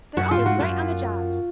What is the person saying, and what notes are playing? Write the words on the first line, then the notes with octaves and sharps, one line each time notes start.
They're always right on the job.
F#2 F#4
F4
G#2
F#4
F#2 F4